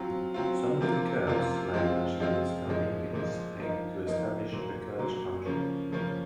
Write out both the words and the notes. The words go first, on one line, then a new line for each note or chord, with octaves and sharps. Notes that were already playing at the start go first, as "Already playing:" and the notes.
Some of the Kurds, like the nationalist Armenians, aimed to establish a Kurdish country.
Already playing: F#3 C4 F4
F#3 C4 F4
C3 F3 A#3 F4
C3 F3 A#3 F4
F3 G#3 C4 F4
F3 G#3 C4 F4
A#2 F3 G#3
A#2 F3 G#3
F3 A#3 D#4
F3 A#3 D#4
A#2 F#3 A#3
A#2 F#3 A#3
C#3 F3 A#3 C#4
C#3 F3 A#3 C#4